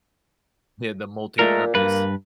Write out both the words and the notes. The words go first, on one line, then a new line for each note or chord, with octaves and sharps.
Yeah, the multipurpose.
A#2 G#3 A3 A#4
G2 A#3 B4